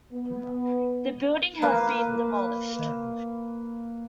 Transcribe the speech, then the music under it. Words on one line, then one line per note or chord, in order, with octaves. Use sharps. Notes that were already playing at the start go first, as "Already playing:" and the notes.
The building has been demolished.
B3
A#3 B4 F5